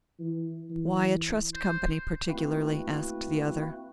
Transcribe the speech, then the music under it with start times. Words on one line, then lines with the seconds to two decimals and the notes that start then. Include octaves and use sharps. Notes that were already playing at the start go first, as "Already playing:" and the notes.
"Why a trust company particularly?" asked the other.
0.19 E3
0.70 E3
1.54 C5
2.29 A3 A#3 C4 E4 F#4 B4